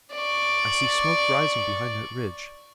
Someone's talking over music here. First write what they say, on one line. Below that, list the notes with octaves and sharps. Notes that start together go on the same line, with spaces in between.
"I see smoke rising behind that ridge."
D5 C#6